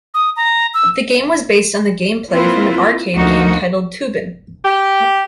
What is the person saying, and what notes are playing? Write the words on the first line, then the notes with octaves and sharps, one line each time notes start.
The game was based on the game play from an arcade game titled "Toobin'".
D#6
A#5
E6
A#3 C4 E4 F4 B4 C5
D2 F3 A#3 D#4 F#4
G4